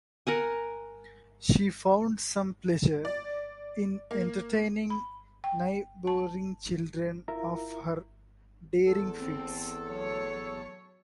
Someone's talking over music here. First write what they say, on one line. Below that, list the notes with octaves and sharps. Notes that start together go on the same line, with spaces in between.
She found some pleasure in entertaining neighboring children of her daring feats.
A#4 F#5 G#5
D5
A#3
B5
G5
A5
E4 F4 A#4 E5 A#5
E2 A4
C4
F#3 C#5